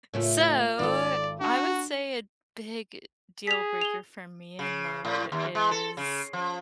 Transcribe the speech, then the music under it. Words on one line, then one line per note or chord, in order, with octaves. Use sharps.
So, I would say a big deal breaker for me in love is
A2 C#3 A3 F4 A#4 C#5
G#1 F4 A4 D5
D4 F#4
G#4 B6 F7
F7 G7
C#3
A2
D#2
G#3
A4
C#3
F3